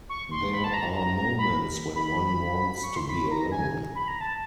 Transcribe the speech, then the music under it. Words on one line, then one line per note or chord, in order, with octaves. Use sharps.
There are moments when one wants to be alone.
C#6
C6
B5
A5
A#5
A#5
A#5
B5
B5
C#6
C6
B5
A#5
G#5
B5
A#5
A5